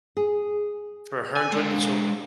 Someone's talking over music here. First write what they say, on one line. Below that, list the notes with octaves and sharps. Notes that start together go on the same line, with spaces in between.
for her enjoyment, so,
G#4
G#5
G#3 D4